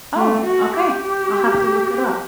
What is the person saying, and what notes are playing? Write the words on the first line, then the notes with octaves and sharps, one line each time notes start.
Oh, okay, I'll have to look it up.
A3
F#4
G4
G4